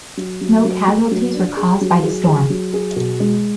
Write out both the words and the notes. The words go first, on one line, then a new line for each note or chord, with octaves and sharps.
No casualties were caused by the storm.
F#3
F#3
F#3
A3
F#3
D4
G#4
F#3
G#4
G#4
F#3
G#4
B2
G#3